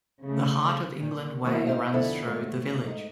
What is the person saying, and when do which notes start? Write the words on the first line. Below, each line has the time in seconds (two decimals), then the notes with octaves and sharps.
The Heart of England Way runs through the village.
0.24 C#3 A3
1.00 A#2 D#3
1.45 D#3 E3 F#3 A#3 C4 E4
1.67 C4 D#4 A4 C5 E5 F5
1.94 F2 D3 B3 E4 A4 B4
2.25 D#2 G#2 A3 C#5
2.87 G#2 D#4